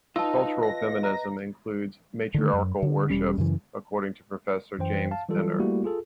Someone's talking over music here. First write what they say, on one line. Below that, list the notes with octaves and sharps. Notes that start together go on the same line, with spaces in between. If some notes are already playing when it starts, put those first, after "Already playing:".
Cultural feminism includes "matriarchal worship", according to Professor James Penner.
D#4 F4 B4 D#5 A5 E6
A#6
A#5
D3 D#3 A3
F#2
D3
E1 G3 C#4
F#2 C#3 E3
F#2 E3 C5 G5
F5 A5
E3 F#3 G3 F4 A4
G3 A3 A#3 E4 F#4 G4
F4 G#4 A4